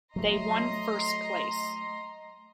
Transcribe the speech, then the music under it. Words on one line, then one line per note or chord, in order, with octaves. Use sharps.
They won first place.
F#3 A3 D#5 A#5 C6